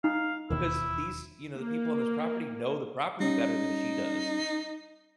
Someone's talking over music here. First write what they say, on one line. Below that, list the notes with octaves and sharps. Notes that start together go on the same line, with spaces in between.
Because these you know, the people on this property know the property better than she does.
D#4 F5
E1 D#2 D#3 E4
A#3
G3 C#4 D#4